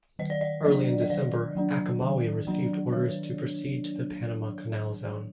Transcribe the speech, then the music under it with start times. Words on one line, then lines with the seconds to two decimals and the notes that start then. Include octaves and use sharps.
Early in December, "Achomawi" received orders to proceed to the Panama Canal Zone.
0.19 D#3 D#5
0.30 D5
0.41 D#5
0.65 F#3 A#3 D4 D#5
1.02 D#5
1.10 D#3 D5
1.55 F#3 A#3 D4
2.02 D#3
2.47 F#3 A#3 D4
2.93 D#3 C#5